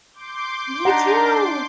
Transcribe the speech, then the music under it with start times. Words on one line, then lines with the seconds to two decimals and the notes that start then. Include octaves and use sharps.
Me too.
0.13 C6 D6 G6
0.85 D4 D#4 F#5 A#5